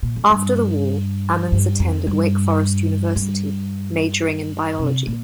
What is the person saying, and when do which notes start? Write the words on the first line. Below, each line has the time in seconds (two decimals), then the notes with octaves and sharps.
After the war, Ammons attended Wake Forest University, majoring in biology.
0.03 A#2
0.16 F2
0.30 G2
1.52 G2
1.80 F2
2.07 G2
3.16 G2
4.79 C3
5.07 A#2